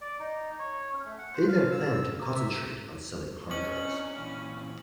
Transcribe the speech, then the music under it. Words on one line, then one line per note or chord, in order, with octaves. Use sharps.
They then plan to concentrate on selling hard drugs.
D5
D#4
C#5
C#4
A3
F#5
C5
F5
E6
A#3
E5
C#4 D4 D#5 F#7
A#2 E3